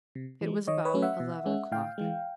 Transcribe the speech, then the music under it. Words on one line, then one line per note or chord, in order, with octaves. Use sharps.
It was about eleven o'clock.
C3
E3 G#3
D#3 C#5 D#5
B4 C#5
F#3 A3 C#4
E5 F#5
B2
G#3 C#4
A2 F5 G5
E3 G#3